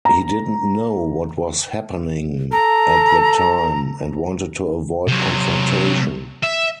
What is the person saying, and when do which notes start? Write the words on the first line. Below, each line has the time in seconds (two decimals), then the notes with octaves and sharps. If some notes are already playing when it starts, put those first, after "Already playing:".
He didn't know what was happening at the time and wanted to avoid confrontation.
0.05 A#5
2.52 A4 A#5
5.08 C3 F#3
6.43 E5